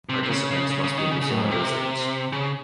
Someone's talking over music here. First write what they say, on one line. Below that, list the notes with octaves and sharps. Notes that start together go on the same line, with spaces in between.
Participants must be New Zealand residents.
C3
C3
C#3
C#3
C#3
C#3
D#3
C#3
C#3
A2
G#2
C3
C#3